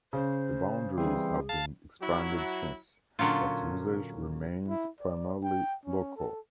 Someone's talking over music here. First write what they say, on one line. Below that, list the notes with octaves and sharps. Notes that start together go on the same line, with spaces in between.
The boundaries have been expanded since, but usage remains primarily local.
C#3 C5
E3 G3 C4 G#4
F5 A5 A6
F#3 E4 F#4
A#2 D3 F#3 C#4 F4
E4
D5
G5
C#4
A4